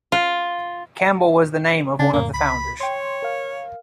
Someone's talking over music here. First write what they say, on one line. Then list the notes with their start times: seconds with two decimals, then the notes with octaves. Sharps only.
Campbell was the name of one of the founders.
0.12 F4
1.99 C#3 C#4 D4 G#5
2.13 F2 A2 A#3
2.34 C#2 B5 B6
2.80 C#5 G5 C6
3.22 A#4 F5